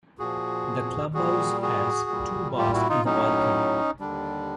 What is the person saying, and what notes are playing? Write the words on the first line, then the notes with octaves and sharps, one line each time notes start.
The club house has two bars and a balcony.
A#2 F3 F#4 G#4
A#2 G3 F#4 G#4
F#4 G#4
A#2 G3
F4 G4
E4 F#4
D#4 F4
A2 F#3 C#4 D#4
D#2 D3 G3 D4